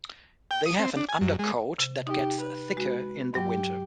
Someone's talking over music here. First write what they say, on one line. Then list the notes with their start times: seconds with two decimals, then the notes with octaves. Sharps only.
They have an undercoat that gets thicker in the winter.
0.51 G5
0.66 D#6
0.79 C4
0.97 D4
1.09 G#5
1.21 F#2
1.39 G#3
1.78 C3
2.07 D#4 G4
2.41 B4
2.77 G#3 F#4
3.34 G2 F#3 G4